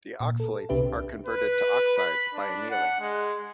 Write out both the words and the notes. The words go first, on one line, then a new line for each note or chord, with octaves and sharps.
The oxalates are converted to oxides by annealing.
A#2
A4
C2 C3 D4 G4 B4 E5
B4
B5
D4
F#5
G#3